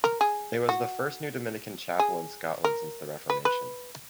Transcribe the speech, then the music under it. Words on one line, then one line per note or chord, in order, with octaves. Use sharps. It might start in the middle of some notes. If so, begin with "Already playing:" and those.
It was the first new Dominican chapel in Scotland since the Reformation.
A#4
G#4
F#4
G#4
A#4
B4
B4